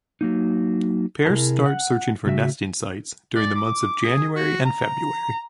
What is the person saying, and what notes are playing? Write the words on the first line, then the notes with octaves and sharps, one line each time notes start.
Pairs start searching for nesting sites during the months of January and February.
F#3 A#3 D#4
C3 E4 G#4 A#4 A5
F#5
A2 C#3 F#4 E5
D5
D6
G#4
F#4
A#5